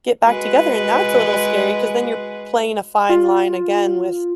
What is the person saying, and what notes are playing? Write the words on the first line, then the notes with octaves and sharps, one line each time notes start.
get back together," and that's a little scary 'cause then you're playing a fine line again with,
G#3 F#4 B4
F4